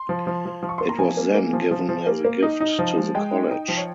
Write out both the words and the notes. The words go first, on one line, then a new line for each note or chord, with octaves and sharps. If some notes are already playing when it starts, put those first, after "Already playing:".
It was then given as a gift to the college.
Already playing: C6
F3
F3
F3
F3
C#6
A#3 C6
A#5
F3 G#5
A#3
A#3
F3
F3
F3
A#3
A#3
D#4
D#4
F3
G#3
G#3 G5
D#4
D#4
F3
C#5